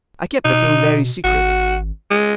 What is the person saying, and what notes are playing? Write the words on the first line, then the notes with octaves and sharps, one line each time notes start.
I kept the thing very secret.
B2 D#4
G#1 F#4
G#3